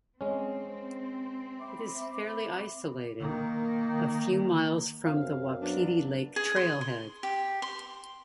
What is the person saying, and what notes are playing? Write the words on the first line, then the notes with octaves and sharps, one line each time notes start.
It is fairly isolated, a few miles from the Wapiti Lake Trailhead.
G#3 C4 C#4
E5 B5 D6
D#3 A#3
F#2 C4 F5
F#3 B3 D4
G#4
C6
C6
G4
C6